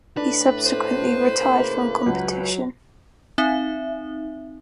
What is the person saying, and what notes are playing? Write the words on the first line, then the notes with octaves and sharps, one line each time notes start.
He subsequently retired from competition.
A2 D4 B4
C5
A2 C#3 A#3
C#2 F#3
C4 D#4 E5